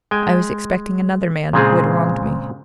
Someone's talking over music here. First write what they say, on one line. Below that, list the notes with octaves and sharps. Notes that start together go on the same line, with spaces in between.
I was expecting another man who had wronged me.
G#3 G5 G#5
A#2 C#3 G#3 C4 F4 G#4